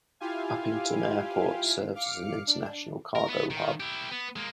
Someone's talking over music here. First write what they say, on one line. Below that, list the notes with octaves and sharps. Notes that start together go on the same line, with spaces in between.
Upington Airport serves as an international cargo hub.
E4 F4 G4 F5 G#5
F5 D6 F6 C#7
D4
A#4
B3
D#3
E4 G4
B3
G#3 A#3